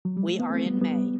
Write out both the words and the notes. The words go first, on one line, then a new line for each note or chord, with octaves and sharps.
We are in May.
F#3
G3
A3
B3
A3 C4
G3 B3
G3 B3